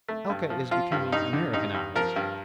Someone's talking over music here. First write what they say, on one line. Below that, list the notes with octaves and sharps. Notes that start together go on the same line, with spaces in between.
Alca is becoming Americanised.
A3
G2
F3
F3 F4
G2
G2 D#4
D3
G2 D#4
G2
F3 A#4
G2